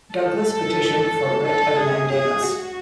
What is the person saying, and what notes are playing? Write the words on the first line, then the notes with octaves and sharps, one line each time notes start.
Douglas petitioned for writ of mandamus.
A4
A4
G#4
G#4
F#4